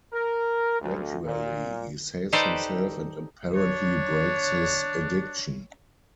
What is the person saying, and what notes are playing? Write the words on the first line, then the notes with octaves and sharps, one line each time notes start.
Gradually, he saves himself and apparently breaks his addiction.
A#4
D2
A#2
D#4 G4 A4 B4 C5 D5
D4 C#5